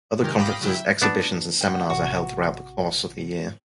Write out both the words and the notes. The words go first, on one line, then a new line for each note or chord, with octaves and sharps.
Other conferences, exhibitions and seminars are held throughout the course of the year.
C3 D#3 G#3 G4 A#4
F5 G5 B5 D6 D#6 A#6
C#3 F#3 E4 G5
E5
B3 D4
F#5 G5
A1 C3 F#4